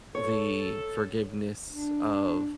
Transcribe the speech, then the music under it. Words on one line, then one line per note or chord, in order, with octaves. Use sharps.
the forgiveness of
A4 C#5
D4